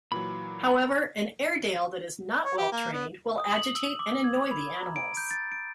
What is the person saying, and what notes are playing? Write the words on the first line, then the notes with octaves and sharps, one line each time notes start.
However, an Airedale that is not well trained will agitate and annoy the animals.
A#2 E3 F#3 B5
A#5
C#5
G4
A#3
B3
D#6
F#7
E6
D6
G#6
B5
A#5
D7
G6
A6
D7